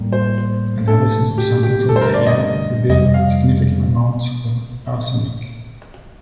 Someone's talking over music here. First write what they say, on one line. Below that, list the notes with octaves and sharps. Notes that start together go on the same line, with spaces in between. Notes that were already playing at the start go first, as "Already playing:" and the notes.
Analysis of samples of his hair revealed significant amounts of arsenic.
Already playing: A2 G3 A#3
C5
A2 A3 D4 A4
G4
G4
G2 D3 A3 A4
C5
A#4
D5
D#5
F2 C3 G3 D#5
F5